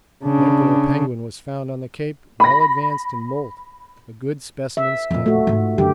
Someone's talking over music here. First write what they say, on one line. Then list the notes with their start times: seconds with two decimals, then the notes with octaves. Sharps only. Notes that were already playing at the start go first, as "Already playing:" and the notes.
An Emperor penguin was found on the Cape well advanced in moult, a good specimen skin.
0.24 C#3 D4
2.40 B5 A#6
4.77 E5
5.11 F2 A#2
5.26 A3 F#4
5.47 G#2 F4
5.78 F#2 D3 G4